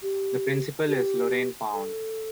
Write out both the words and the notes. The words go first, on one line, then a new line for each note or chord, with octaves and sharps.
The principal is Lorraine Pound.
G4
G4
A4